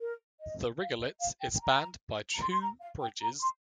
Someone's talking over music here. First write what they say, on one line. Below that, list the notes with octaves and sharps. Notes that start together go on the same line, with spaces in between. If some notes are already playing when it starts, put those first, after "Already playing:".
The Rigolets is spanned by two bridges.
A#4
D#5
F5
D#5
F5
G5
G5
A#5
A#5
C6
C6
A#5
F5
G5
A#5
C6